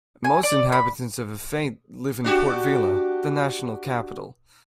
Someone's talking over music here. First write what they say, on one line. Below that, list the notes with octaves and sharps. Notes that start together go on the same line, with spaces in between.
Most inhabitants of Efate live in Port Vila, the national capital.
G#5
D5
B5
D4 F#4 G4